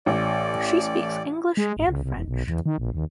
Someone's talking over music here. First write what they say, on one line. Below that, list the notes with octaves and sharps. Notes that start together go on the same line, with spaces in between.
She speaks English and French.
A1 D5
G#3
G#1
C#2
C2
E1
B1
E2
D#3
A#1
D#2